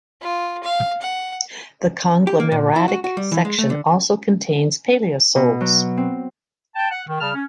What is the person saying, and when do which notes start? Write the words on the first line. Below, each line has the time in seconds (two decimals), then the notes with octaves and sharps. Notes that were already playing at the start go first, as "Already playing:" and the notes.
The conglomeratic section also contains paleosols.
0.21 F4
0.63 F5
1.01 F#5
2.27 G4
2.40 A#3
2.52 A#2
2.76 E4
2.88 F#4
3.04 F#4
3.17 G3
3.32 E3
3.45 G#3
3.58 A3
3.70 D3
5.36 B2
5.61 F#3
5.97 C4
6.76 G5 A5
6.91 F#5
7.08 D#3
7.21 C#3 G3 A5 F6
7.35 C#4